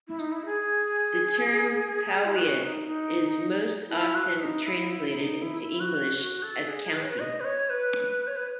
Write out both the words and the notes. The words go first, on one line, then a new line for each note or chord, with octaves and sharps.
The term "powiat" is most often translated into English as "county".
E4
D#4
E4
G#4
E4
F#4
D#4
D#4
E4
F#4
E4
D#4
E4
E4
E4
D#4
E4
F#4
F#4
A4
G#4
B4
C#5
B4
D#5
B4
C#5
B4
C#5
B4